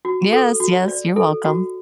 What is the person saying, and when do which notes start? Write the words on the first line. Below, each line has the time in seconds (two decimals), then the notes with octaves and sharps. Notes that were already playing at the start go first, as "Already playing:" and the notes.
Yes, yes. You're welcome.
0.05 F#4
0.33 A4
0.60 F#4
0.88 D5
1.16 A4
1.44 F#4